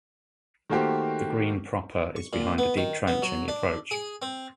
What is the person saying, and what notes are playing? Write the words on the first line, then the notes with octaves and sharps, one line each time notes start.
The green proper is behind a deep trench in the approach.
D#3 A3 A#3 F#4 G4 C5
C#6
A#2
B3
D#3
B3
F#3
D4
G#4
C4